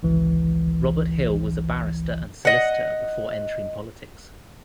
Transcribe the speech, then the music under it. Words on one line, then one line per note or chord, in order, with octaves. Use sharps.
Robert Hill was a barrister and solicitor before entering politics.
G#1 C#2 E3
D#5 F#5